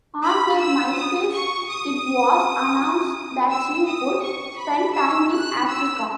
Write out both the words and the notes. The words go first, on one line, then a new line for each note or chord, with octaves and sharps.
On her Myspace it was announced that she would spend time in Africa.
B5
E6
D#6
C#6
D#6
E6
D#6
C#6
B5
E6
F#6
E6